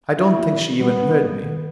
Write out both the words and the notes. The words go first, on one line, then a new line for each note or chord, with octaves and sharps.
I don't think she even heard me.
D4 E4
A#3
E3
G3 B3
D4
A#3
D#3